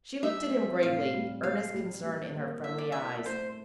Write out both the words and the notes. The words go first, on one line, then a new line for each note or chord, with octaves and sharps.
She looked at him gravely, earnest concern in her friendly eyes.
G3 E5
C4
A2 F5
G3
G3 F5
G3
G3
A#3
E4 E5
D5
E4 E5
A3 C5